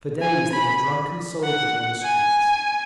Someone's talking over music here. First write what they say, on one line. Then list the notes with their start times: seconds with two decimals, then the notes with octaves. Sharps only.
For days there were drunken soldiers on the streets....
0.21 G#5
0.53 B5
1.43 F#5
2.03 G#5